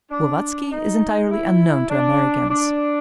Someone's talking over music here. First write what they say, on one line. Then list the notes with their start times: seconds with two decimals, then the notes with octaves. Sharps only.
Glovatski is entirely unknown to Americans.
0.10 D4
0.70 D#4
1.30 E4
1.89 D4
2.49 D4